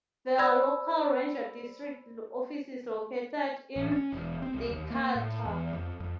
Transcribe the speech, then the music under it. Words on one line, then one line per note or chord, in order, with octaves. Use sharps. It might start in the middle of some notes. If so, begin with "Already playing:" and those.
There are local ranger district offices located in Decatur.
C5 D5 B5 E6 G#6 A#6
A1
C#4
E1
C4
C2
D#2
A#3
A2
E2
F2
F2